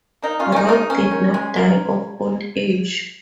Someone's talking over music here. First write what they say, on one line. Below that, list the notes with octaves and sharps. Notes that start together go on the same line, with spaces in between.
Rock did not die of old age.
A#3 D#4
C#4 F4
C#3
C#4
D#4
A#3 F4
D#4
G#3 C#4
D#3
G#3
A#3